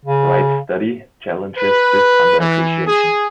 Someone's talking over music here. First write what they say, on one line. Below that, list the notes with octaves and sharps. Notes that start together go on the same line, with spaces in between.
Wright's study challenges this under-appreciation.
C#3
B4
E3
G#4